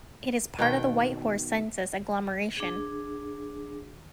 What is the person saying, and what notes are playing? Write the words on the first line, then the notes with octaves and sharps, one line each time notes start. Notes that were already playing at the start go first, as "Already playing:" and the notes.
It is part of the Whitehorse Census Agglomeration.
B2 D#3 G5
D4 G#4